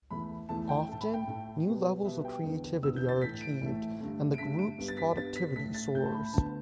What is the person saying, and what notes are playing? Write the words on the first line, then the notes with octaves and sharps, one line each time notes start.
Often, new levels of creativity are achieved, and the group's productivity soars.
E2 E3 A3 B5
E2 E3 A3 A5
G5
A2 A3 A5
B5
G5
A2 A3
B2 G3 B3
B2 G3 B3 E5
G5
E2 D3 B3
E2 D3 B3 E6
G6
A6
A2 E3 A3 B6
D7
A2 E3 A3
G2 D3 A3
D7
G2 D3 A3 B6
D7
G2 G3 B3
A6
B6
G2 G3 B3 A6
B6
A2 A3 B6
A6
A2 A3 G6
A5
B5
B5
D2 D3 B3 A5